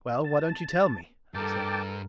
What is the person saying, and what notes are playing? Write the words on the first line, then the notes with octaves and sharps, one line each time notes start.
"Well, why don't you tell me?" I said.
A5
G2 A4 A#4 G5 A5 D6